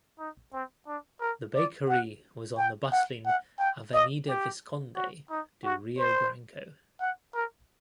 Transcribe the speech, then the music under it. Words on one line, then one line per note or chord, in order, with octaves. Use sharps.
The bakery was on the bustling Avenida Visconde do Rio Branco.
D#4
C4
D4
A#4
D5
F#5
G5
F#5
F#5
G5
D#5
G4
F#4
D#4
F#4
C5
F#5
A#4